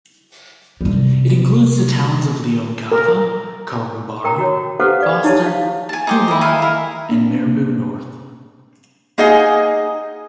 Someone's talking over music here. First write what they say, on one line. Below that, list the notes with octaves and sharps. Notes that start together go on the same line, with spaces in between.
It includes the towns of Leongatha, Korumburra, Foster, Poowong and Mirboo North.
C3 G3
A#4
A#4 G5 A#5
F#4 C#5
G4 A4 B4 C5 F5 F#5
D5 F5
D#4 E4 G4 C#5 A5
F5
G#5 A5
D#4 G4 C5
E4 D#5
D#4 E4 F5 G#5
E4 A#4
A#3 C4 D4
A#3 D#4 G#4 D#5 F#5 G#5